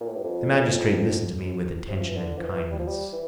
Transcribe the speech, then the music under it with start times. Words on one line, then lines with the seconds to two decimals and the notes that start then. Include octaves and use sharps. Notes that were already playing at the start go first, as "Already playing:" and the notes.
The magistrate listened to me with attention and kindness.
0.01 A#2
0.08 A2
0.16 G2
0.24 F2
1.88 C3
1.99 F3
2.08 E3
2.16 D3
2.38 F3
2.43 E3
2.71 G3
2.79 F3
2.88 G3
3.13 E3